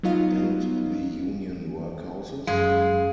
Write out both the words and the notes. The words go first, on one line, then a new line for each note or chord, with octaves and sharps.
And the Union workhouses?
F#3 B3 D#4 F4 D#5 F5
F#2 G#3 F5